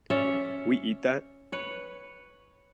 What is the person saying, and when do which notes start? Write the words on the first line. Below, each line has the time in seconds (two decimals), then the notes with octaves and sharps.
We eat that?
0.10 C#4 C#5 D5 E5
1.52 B4 C#5